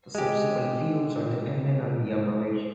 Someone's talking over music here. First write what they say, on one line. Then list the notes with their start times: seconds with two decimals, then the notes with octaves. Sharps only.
The subsequent fields are dependent on the operation.
0.15 G#3 G4